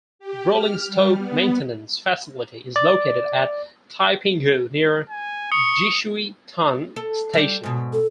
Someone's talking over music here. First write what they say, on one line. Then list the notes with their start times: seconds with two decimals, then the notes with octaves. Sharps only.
The rolling stock maintenance facility is located at Taipinghu, near Jishuitan station.
0.19 G4
0.53 F6
0.87 G3
1.17 B3
2.76 D5
5.10 G#5
5.52 C#6 D#6 C#7 G7
6.96 A4
7.33 G3 D5
7.63 G#2 B2
7.93 A4